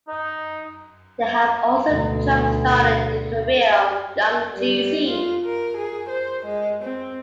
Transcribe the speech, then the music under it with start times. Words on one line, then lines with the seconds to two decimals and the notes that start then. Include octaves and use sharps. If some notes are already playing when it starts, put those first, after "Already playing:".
They have also jump-started the career of Young Jeezy.
0.08 D#4
1.89 D2 B2
4.55 G3
5.08 F4
5.45 A#4
5.77 G#4
6.09 C5
6.46 G#3
6.83 C4